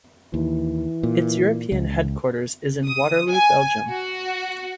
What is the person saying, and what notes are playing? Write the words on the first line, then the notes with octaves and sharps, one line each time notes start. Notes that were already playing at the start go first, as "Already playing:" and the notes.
Its European headquarters is in Waterloo, Belgium.
D#2 E3
A#2
C#2
D#6
G#5
F#4